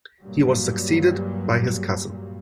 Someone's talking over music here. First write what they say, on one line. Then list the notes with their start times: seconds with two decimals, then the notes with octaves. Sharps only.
He was succeeded by his cousin.
0.21 G2 A#2 F#3 G3